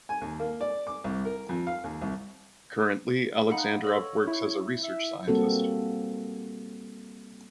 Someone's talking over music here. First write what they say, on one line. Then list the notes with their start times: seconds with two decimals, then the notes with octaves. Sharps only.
Currently Aleksandrov works as a research scientist.
0.09 G#5
0.21 D#2
0.40 A#3
0.61 D5
0.87 D6
1.04 C2
1.25 A#4
1.49 F2
1.67 F5
1.84 D#2
2.02 C2
3.51 D#4 F5 F#5 B5
3.85 A4 C#5 D#5 E6
4.27 E4
4.83 E5
5.28 G3 A#3 C4 F#4 A4